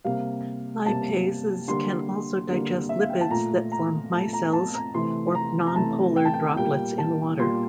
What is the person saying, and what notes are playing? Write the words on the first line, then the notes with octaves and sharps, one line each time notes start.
Lipases can also digest lipids that form micelles or nonpolar droplets in water.
C3 G3 A#3 F5
C3 G3 A#3 A5
D3 G3 A#3 C6
D3 G3 A#3
E5
F5
G5
A5
A#2 A3 A#5
A#5
A#2 A3 A5
A#5
A5
A#5
C3 E3 A3 C6
A#5
A#5
C3 E3 A3 A5
G5
A5
G5
A#2 G3 A#3 G5
A5
A#2 G3 A#3 C6